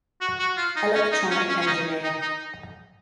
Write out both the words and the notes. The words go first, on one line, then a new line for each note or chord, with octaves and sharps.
Electronic engineer.
F#4
F#4
F4
D#4
C#4
D#4
C#4
C#4
C#4
D#4
D#4
D#4